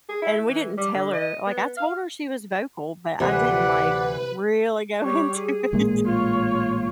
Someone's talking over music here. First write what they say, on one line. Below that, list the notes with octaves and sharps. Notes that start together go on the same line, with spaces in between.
and we didn't tell her like, I told her she was vocal, but I didn't, like, really go into it.
G#4
E4
E3
G3
D3
D#5
B3
F5
D2 C3 E3 G4 B4 D5 F#5
G3 C#5
G#4
A1 A#2 G#3
F4 C#5